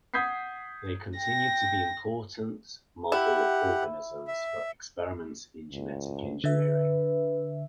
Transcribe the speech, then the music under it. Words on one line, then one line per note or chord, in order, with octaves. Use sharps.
They continue to be important model organisms for experiments in genetic engineering.
F#5 D#6 G6 G#6 B6 C7
G5 A#6
E4 G4 F#5
E5
C#2
D3 B4 E5